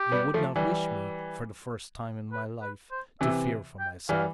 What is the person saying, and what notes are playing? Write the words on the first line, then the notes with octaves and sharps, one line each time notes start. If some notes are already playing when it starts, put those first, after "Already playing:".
You would not wish me, for the first time in my life, to fear for myself.
Already playing: G4
G3 B3
F3 A3
E3 G3
B4
B4
C5
C3 E3 E5
G5
E3 G3 F5